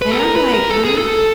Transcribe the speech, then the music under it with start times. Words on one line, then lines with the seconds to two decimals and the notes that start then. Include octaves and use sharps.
And I'm like, "Huh?"
0.02 B4
0.11 A4
0.19 A#4
0.36 B4
0.54 A#4
0.70 A4
0.85 G#4
0.98 A4